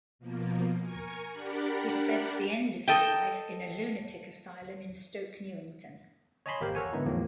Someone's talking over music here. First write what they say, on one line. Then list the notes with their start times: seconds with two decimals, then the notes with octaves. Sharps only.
He spent the end of his life in a lunatic asylum in Stoke Newington.
0.19 B2 F3 A#3
0.78 A#4 G#5 C#6
1.32 D4 G4 A#4 D5 F#5 B5
2.88 A4 D#5 G5
6.46 C#5 D#5 G#5 A5 B5 C6
6.61 G#1 A#3 G4 A#4 C5
6.75 A4 A#4 C#5 F#5 G#5
6.93 G#2 D3 B3 D#4 E4
7.06 E2 A2 F3 F#3 A#3